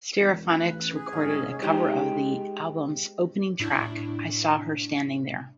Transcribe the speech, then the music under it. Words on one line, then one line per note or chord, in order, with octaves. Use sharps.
Stereophonics recorded a cover of the album's opening track, "I Saw Her Standing There".
E1
A1 B4
G#4
D#1 G#2 C#4
G#3 D#4 G4 C5
A2 D4 E4